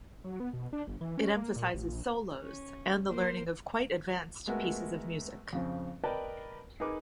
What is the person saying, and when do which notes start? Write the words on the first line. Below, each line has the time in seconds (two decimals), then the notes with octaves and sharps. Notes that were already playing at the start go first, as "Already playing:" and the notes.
It emphasizes solos, and the learning of quite advanced pieces of music.
0.24 F#3
0.40 B3
0.53 B2
0.73 D4
0.87 G1
1.01 E3
1.18 C#4
1.36 A#3
1.56 A#2
1.74 A1
1.88 A#1
2.40 C#4
3.07 A#3 A#4 C5
4.47 G#3 A3 B3 F#4 A#4
5.53 F2 C#3 C4
6.04 A#4 B4 D5 D#5 G5 A5
6.80 D#4 G#4 A#4 B4 D6